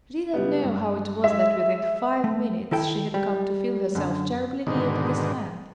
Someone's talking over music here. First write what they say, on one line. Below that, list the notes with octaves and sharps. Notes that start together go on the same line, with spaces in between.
She did not know how it was that within five minutes she had come to feel herself terribly near to this man.
C#3 G3 B3
G2
G#3 E5
A3
D#3 E4 A4 G5
G3
F#2 D3
G#2 B2 D3 D#3